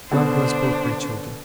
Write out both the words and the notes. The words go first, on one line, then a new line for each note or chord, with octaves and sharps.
God bless both my children!
B2 D3 D4 C5